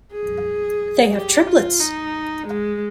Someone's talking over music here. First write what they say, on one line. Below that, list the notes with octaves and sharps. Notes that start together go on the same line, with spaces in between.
They have triplets.
G#4
G4
F4
D#4
G#3